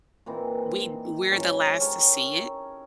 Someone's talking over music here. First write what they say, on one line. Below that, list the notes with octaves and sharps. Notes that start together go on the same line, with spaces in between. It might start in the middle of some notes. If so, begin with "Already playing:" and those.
we we're the last to see it?
A#2 E3 C4 D#4
G#2 F#3 C#4
G4 A4 A#4 C#5